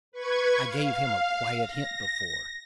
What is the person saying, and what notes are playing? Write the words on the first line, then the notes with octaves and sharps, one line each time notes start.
I gave him a quiet hint before.
B4 C#6 G#6
F5
A#6